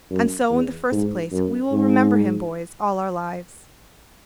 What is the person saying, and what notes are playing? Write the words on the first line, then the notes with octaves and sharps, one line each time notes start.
And so in the first place, we will remember him, boys, all our lives.
F#2
E2
G#2
F#2
G#2